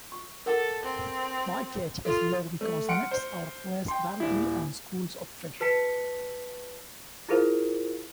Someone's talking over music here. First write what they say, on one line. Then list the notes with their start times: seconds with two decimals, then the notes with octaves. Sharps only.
Bycatch is low because nets are placed directly on schools of fish.
0.12 C#6
0.46 A4 A#4 F#5 D6
0.83 C4
2.05 F4 A4
2.61 A3
2.89 F#5 C6 F6 C#7 D7
3.11 C5
3.88 G5 C6
4.20 D#1 E4
5.60 F#4 B4 A5 B6 C#7
7.29 E4 F4 G#4 A#4 C5 F5